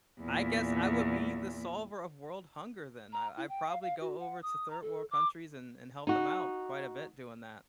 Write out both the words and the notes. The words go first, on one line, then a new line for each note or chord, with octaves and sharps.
I guess I would be the solver of world hunger then. I I'd probably go over to third world countries and and help them out quite a bit doing that.
E2 A#2
A#5
E4
G5
F5
F5
F#4
F#5
D#6
A#5
A4
D6
D#4 F#4